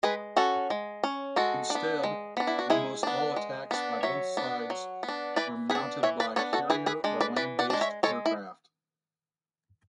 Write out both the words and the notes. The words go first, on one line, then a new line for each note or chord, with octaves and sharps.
Instead, almost all attacks by both sides were mounted by carrier or land-based aircraft.
G#3 G#4 B4
C#4 F#4 A4
G#3
C#4
G#3 F#4 A4
D4
B3
G#3
B3 D4
E4
F#4
G#3 E4 G#4
B3 D4
G#3
B3 D4
F#3 C#5 E5
B3 D4
F#3
B3
D4
E3 B4 D5
B3 G#4 B4
D4
E3 C#5 E5
B4 D5
B3 D4 A4 C#5
F#4 A4
E3 G#4 B4
G#4 B4
G#3 D4
B4 D5
E3 B4 D5
D5 F#5
G#3 D4
C#5 E5
G#3 A4 C#5
E4